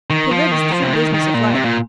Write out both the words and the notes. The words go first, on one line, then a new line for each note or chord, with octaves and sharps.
To live is the true business of life.
D#3
F3
D#3
F3
C3
D#3
D#3
A#2
C3
A#2